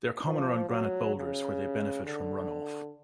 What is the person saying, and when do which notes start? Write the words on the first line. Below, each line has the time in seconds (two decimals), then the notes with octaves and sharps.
They are common around granite boulders where they benefit from runoff.
0.25 F3
0.70 F#3
1.15 C#3
2.05 D3